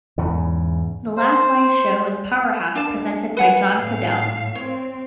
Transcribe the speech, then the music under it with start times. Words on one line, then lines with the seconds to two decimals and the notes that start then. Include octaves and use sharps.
The last live show was Power House presented by John Caddell.
0.18 E2 G#2 C#3
1.17 C5
2.75 D4 F5 A5
3.37 G3 B4 F#5 G#5
3.78 A2 F5
4.55 C4 C#5